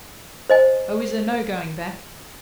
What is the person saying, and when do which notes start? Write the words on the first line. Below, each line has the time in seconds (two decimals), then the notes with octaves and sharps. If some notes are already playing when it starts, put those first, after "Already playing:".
Oh, is there no going back?'
0.50 C5 D#5 G#5